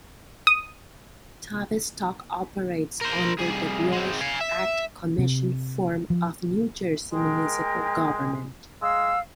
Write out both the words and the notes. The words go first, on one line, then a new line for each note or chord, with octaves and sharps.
Tavistock operates under the Walsh Act commission form of New Jersey municipal government.
D#6
A#4 C5
C2 G#4
G#3 C4
F5 G#5
E5
C3
F3
G#3 A#4 G5
G#3 F5 E6